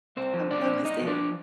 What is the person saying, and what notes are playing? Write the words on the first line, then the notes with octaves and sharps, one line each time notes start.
I'm totally seeing it.
C2 C4 C5
F3
C2 D4 D5
A#2
C2 D#4 D#5
F3
D4 D5